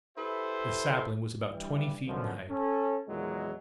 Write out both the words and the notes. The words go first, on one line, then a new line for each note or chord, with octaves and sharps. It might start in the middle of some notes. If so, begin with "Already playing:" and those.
The sapling was about twenty feet in height.
E4 G4 A4 B4 C5 E5
G2 E3 G3
F#2 B2 D3 F3
C#4 A4
E2 A#2 D#3 F#3 G#3